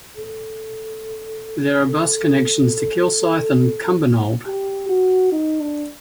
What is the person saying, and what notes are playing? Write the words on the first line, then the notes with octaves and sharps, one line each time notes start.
There are bus connections to Kilsyth and Cumbernauld.
A4
A4
G4
F#4
D#4
D4